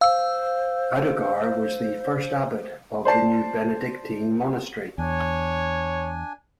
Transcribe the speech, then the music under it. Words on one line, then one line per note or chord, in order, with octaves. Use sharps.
Audogar was the first abbot of the new Benedictine monastery.
C5 F5 E6
C5 D5 A5 C7
E2 D4 C#5 G#5